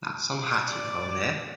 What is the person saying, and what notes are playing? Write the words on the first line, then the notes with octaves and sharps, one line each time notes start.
That's some hat you got on there.
D5